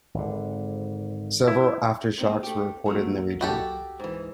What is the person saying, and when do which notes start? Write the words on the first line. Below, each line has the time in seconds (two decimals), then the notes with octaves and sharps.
Several aftershocks were reported in the region.
0.14 G#1 D3
1.48 E4
2.18 A#2 C4 D#4
2.43 A3 G4
2.86 F#3 A3 A#3
3.41 F#4 G4 A4
4.00 G#2 E3